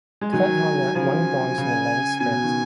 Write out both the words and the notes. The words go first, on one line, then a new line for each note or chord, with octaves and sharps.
Curt Harnett won bronze in the men's sprint.
G#3
D#3 F#3 G#5
C#3 F3 G#5
C#3
B2 G#5
D#3